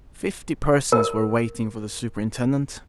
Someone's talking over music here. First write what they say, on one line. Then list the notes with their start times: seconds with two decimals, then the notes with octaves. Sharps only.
Fifty persons were waiting for the superintendent.
0.92 A#4